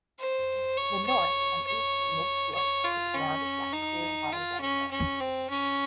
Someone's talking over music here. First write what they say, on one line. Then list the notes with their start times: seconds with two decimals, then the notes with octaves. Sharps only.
The north and east mid slope is surrounded by Clear Water Bay Road.
0.19 C5
0.77 C#5
1.07 C#5
1.67 C#5
2.55 C#5
2.84 F4
3.14 C#4
3.73 D#4
4.33 F4
4.61 C#4
4.91 C#4
5.20 C4
5.50 C#4